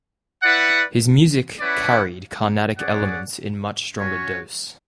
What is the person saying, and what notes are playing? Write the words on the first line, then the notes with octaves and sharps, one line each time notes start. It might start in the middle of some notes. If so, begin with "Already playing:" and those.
His music carried Carnatic elements in much stronger dose.
E4 B4 D5 F#5
C#4 E4 B4 D5 F#5
C#4 G#4 D5 F#5
C#4 F#4 C#5